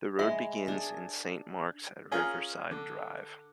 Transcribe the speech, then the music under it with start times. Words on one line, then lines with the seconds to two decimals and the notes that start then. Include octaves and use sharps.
The road begins in Saint Marks at Riverside Drive.
0.19 G#3 E5 B5 C6
0.68 D4 G#4
2.12 C#4 F4 G#4 A#4
2.71 D3